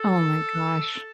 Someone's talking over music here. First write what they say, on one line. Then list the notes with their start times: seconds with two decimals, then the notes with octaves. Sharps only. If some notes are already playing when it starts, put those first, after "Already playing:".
Oh my gosh.
Already playing: A4